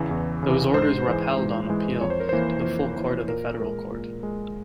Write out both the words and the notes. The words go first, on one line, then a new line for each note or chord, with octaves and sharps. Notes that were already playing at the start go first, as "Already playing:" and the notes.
Those orders were upheld on appeal to the Full Court of the Federal Court.
Already playing: E2 C#3 E3
E2
C#3 E3
G#2 C5
E3 G#3
G#2
E3 G#3
F2 C#5
C5
A#4
E3 A#3 C5
F2
E3 A#3
A#2 A#4
G#3 A#4
A#2
G#3